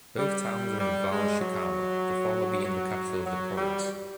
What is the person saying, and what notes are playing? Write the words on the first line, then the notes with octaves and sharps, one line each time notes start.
Both towns are in Valle Chicama, the former being the capital of the province.
G3
G3
G#3
F#3
F#3
F#3
G3